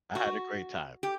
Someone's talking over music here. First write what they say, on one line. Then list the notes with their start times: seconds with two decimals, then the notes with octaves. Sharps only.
I had a great time.
0.15 F#4
1.03 G4